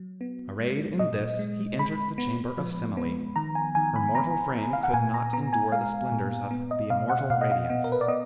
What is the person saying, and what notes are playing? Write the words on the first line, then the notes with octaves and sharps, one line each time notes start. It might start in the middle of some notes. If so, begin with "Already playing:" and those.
Arrayed in this, he entered the chamber of Semele. Her mortal frame could not endure the splendors of the immortal radiance.
Already playing: F#3
B3
G#3
A#2 D#5
G#3
G#3 B5
B3
F3
B3
D#3 A#5
G#5
D#3 G#5
B5
B3 A#5
B3
F5
F#5
A#2 G#5
A#5
B3 A#5
G#5
G#3 F5
A#2
B3
D#5
B2 F5
F#5
B2 F5
D#5
F5
B3
A#4
B4
D5
B3 D#5